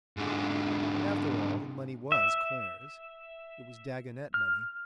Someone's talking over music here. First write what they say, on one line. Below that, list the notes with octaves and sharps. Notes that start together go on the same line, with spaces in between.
And after all, the money was Clare's--it was Dagonet money.
G#2 D3
E5
F6